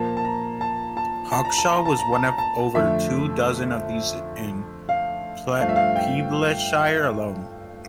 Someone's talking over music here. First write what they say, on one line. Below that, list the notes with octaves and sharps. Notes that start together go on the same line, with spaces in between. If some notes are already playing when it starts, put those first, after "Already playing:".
Hawkshaw was one of over two dozen of these in Peeblesshire alone.
Already playing: A#2 F3 A#3 A5
A5
A#5
A5
A5
A5
A#5
A5
A#5
A5
A#5
A5
A#5
A5
F2 D3 A3 E5
F5
G2 F3 A3 F5
E5
F5
G5